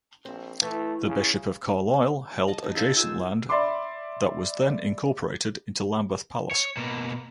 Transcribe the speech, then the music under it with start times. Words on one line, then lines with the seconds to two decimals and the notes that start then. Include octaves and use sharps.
The Bishop of Carlisle held adjacent land that was then incorporated into Lambeth Palace.
0.25 A#1 C4
0.62 E3 A3
1.08 C#3
2.48 D#5 A5
2.64 D#4
2.75 G#4 A4 C5 F5 G#5
2.97 F4 E6
3.49 D5 E5 B5 C6 D6
6.51 C#5
6.77 B2 A#3